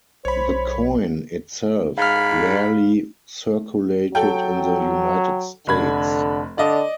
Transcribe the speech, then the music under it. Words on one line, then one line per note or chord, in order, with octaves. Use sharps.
The coin itself rarely circulated in the United States.
B1 C5 C#5 B5
G#2 F5 B5 F6
F#3 A4 G5
F1 D3 B5 G#6
D3 D5 D#5